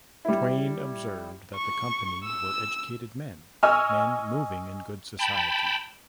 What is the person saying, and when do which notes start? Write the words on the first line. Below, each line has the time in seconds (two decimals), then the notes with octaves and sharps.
Twain observed that the company were educated men, men moving in good society...
0.25 G3 E4
1.55 C#6
2.24 E6
3.63 D#5 G#5 C#6 E6 F6
5.19 G5 A5 B5